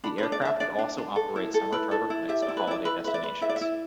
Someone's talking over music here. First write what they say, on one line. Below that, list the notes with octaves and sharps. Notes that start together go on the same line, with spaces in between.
The aircraft would also operate summer charter flights to holiday destinations.
D4 B5
B4
D4
D5
D4 E5
D4 D5
D4
D4
A4
E4
A4
E4 B4
A4
E4
G4 E5
D5
E4
B4
E4 D5
E4 B4
B4 E5
D5
B4
E4 E5
D5
E5
E4